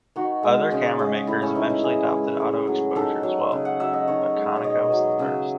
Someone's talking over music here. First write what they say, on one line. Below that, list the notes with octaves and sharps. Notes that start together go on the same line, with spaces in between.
Other camera makers eventually adopted auto-exposure as well, but Konica was the first.
D#3 F#4
G#3
C#3
G#3
A2 E4
C#4
E3 D#4
E4
C#3 G#4
G#3
A2
F#3
D#3 A4
F#3
C#3
F#5
F#3 E5
D#5
D#3 C#5
G#3
C#5
B2 D#5
F#3
C#3 E5